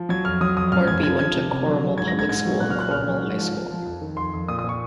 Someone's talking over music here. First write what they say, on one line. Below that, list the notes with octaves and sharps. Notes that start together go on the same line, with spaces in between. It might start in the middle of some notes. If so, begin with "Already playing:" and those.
Hornby went to Corrimal Public School and Corrimal High School.
Already playing: F3
F#3 G#6
F2 F6
F#3 D#6
F2 D#6
F#2 F6
F#2 G#6
F3 G#6
F3 G#6
C3
C3
F#3
F#3
G#2 G#6
A#6
G#2
G#6
G#2 G#6
F#3
A#2 F#6
F6
A#2 F#6
A#2 F6
F#3
G#2
F3
F3
F3
F2
D#3
F2 C6
F2
A#2 D#6
D#6
A#2 C#6